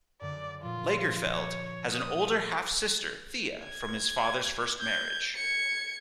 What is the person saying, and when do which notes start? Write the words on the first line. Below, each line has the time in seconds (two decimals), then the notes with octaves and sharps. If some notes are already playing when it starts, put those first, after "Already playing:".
Lagerfeld has an older half-sister, Thea, from his father's first marriage.
0.21 F#2 D3 D5
0.62 A#2 F3 F4
1.32 C#5
1.92 D#6
3.63 G#6
4.79 G6 G#6
5.36 G#6 C#7